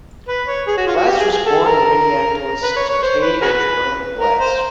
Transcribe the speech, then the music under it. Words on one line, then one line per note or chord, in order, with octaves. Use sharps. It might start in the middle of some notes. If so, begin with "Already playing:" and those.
Blatz was born in Minneapolis to Kay and Jerome Blatz.
B4
C#5
G#4
F#4
F4
F#4
G4
G#4
G#4
A4
A#4
B4
C#5
C#5
C5
B4
F#4 G#4 B4
A#4
C5